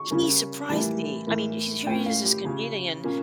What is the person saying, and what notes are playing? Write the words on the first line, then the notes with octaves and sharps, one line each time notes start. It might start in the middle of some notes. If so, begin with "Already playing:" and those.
he surprised me. I mean, he's here he is this comedian
Already playing: C#6
C#3 G3 A#3 C#4
A2 E3 G3 A#3 A5
A2 E3 A#3
A2 F3 A#3 C#4 G5
F5
G4
C#3 F3 C#4
A#2 F3 A#3 C#4